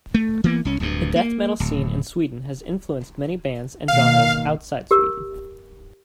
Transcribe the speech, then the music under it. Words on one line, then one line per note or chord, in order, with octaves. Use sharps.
The death metal scene in Sweden has influenced many bands and genres outside Sweden.
A3
E3 A#3 B3
C2 C#4
D1 D2 G2
A#3
D1
B2 D#3 A#3 F5
G4 A#4